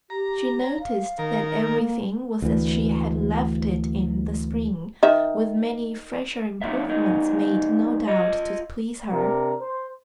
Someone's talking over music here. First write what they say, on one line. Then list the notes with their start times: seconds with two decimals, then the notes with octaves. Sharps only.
She noticed that everything was as she had left it in the spring, with many fresher improvements, made, no doubt, to please her.
0.10 G4 A#5
0.61 C#5
0.79 F5
1.19 D#3 A#4
1.64 A#3
2.42 D2 E3
5.03 D#3 E5
6.61 D#3 F#3 A#3 C#5 E5
6.87 F#2 D#3 D#4
8.07 F4 D#5
9.11 C3 D4 A#4
9.60 C5